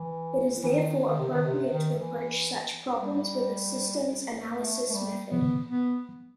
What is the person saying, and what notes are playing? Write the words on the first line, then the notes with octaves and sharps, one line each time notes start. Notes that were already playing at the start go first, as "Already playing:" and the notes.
It is therefore appropriate to approach such problems with a systems analysis method.
Already playing: E3
E3
D#3
D#3
C3
D#3
C3
D#3
E3
G3
A3
A3
G3
B3
B3